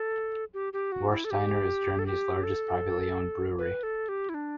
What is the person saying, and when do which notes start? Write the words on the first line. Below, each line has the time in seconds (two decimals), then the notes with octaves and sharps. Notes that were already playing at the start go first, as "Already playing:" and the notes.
Warsteiner is Germany's largest privately owned brewery.
Already playing: A4
0.54 G4
0.73 G4
0.92 F#4
1.11 E4
1.25 A4
1.31 G4
1.99 A4
2.06 G4
2.44 A4
3.58 B4
3.83 A4
4.09 G4
4.29 E4
4.34 D4